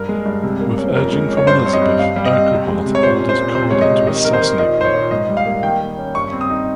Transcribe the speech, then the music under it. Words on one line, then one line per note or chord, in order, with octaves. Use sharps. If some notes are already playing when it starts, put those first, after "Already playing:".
With urging from Elizabeth, Urquhart orders Corder to assassinate them.
Already playing: G2 A#4
G#3
G2
C3
A#3
C#4
F2 A#4
G#3
C#4
C#5
G2 C5
C4 C#5
D#5
G2
G2 F5
G3
D#5
C4
C3
G#3
C3
C#5
A#2 C5
C#4
C5
A#2
C3 C5
G#3 C#5
D#5
C3
D#3 D#5
D#4 A#4
C5
D#3
A#2 D#5
D#4 C5
C#5
A#2
G#2 D#5
G3
F5
A#3
D#3 G5
A#3
C#4
G2 C#6
C4
D#6
D#4